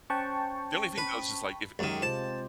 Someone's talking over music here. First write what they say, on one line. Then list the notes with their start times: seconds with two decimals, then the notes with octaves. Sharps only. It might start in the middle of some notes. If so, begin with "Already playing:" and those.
The only thing though, is just like if
0.10 C#4 C5 G5 A5 C#6
0.98 B4
1.79 F#2 D#3 G#3 G4
2.02 C3 F4 C5 A5